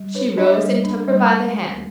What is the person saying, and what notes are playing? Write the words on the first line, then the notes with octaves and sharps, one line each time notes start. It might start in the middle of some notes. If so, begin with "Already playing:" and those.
She rose and took her by the hand.
Already playing: G3
D4 B4 C#5
D4 D#5
E5
C#5 D#5
G3
D4
G3